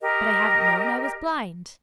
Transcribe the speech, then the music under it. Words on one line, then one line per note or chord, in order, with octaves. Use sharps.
"But I haven't known I was blind!"
G4 A#4 D#5